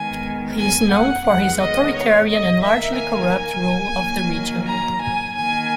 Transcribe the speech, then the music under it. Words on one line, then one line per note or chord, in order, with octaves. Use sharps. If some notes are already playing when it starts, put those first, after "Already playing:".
He is known for his authoritarian and largely corrupt rule of the region.
Already playing: D#3 G#3 B3 G#5
G#5
F#5
D#3 G#3 B3 F#5
D#5
C#5
D#5
D#3 A#3 E5
G#5
D#3 F#3 A#3
A#5
G#5
D#3 A#3 G#5